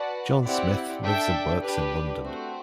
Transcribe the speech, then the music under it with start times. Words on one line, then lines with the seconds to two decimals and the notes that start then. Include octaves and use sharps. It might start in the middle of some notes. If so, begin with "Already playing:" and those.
John Smith lives and works in London.
Already playing: F#4 B4 D5 F#5 A5
0.43 C4 E4 G4 D5 F#5
1.03 D4 A4 E5 G5
1.62 D4 G4 B4
2.22 A3 C4 F#4 C5